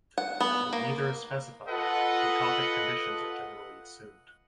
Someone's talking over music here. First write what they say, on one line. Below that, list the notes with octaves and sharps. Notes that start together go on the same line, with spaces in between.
When neither is specified, photopic conditions are generally assumed.
F#5
B3
A#3
F4 A4 B4 D#5 F#5